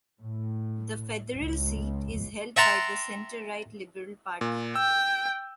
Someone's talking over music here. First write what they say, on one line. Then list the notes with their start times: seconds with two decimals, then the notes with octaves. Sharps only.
The federal seat is held by the centre-right Liberal Party.
0.21 A2
1.38 C#2
2.56 E5 F#5 G5 A5 A#5 C6
4.41 A#2
4.76 G5 E6